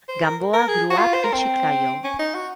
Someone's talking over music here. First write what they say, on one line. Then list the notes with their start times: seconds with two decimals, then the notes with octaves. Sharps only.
Gamboa grew up in Chiclayo.
0.08 C5
0.22 A#4
0.53 A#4
0.68 G#4
0.90 F#4
0.98 F4
1.14 C5
1.23 A#4
1.33 C4
2.04 C#4
2.19 D#4
2.34 F#4